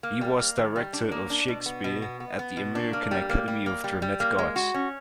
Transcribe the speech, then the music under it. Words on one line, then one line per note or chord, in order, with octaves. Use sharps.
He was director of Shakespeare at the American Academy of Dramatic Arts.
A#3
G3
A#3
D#3
G3
D4
A#3
D4
B2
B3
B2
B3
B3
B3
B2
D4
A#3
G3
A#3
G3
A#3
G3
G3
A#3
G#3
F#4
C#4